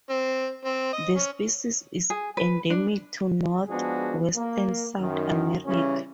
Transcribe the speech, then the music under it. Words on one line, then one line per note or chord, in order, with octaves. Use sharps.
The species is endemic to northwestern South America.
C4
C4
D#5
C#4
G#4
B4
D4
F3 G#3 B3 D4 F#4 G#4
A#3
F#2 D#3
C#3 E3 G3 C#4